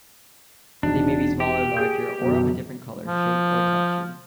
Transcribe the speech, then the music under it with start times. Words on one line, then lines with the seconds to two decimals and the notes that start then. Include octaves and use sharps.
They may be smaller, larger, or of a different color, shape, or texture.
0.83 E1 D4 D#4
1.40 G4
1.77 G#4 G6
2.22 F#2 B2
3.06 F3